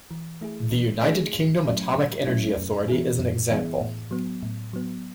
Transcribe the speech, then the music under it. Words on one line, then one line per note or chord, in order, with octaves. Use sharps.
The United Kingdom Atomic Energy Authority is an example.
E3
A3 E4 G#4
E3
A3 E4 G#4
G#2
F#3 A3 C#4 E4
G#2
F#3 A3 C#4 E4
F#2
E3 B3 E4 G#4
F#2
E3 B3 E4 G#4
A2
F#3 B3
A2
F#3 B3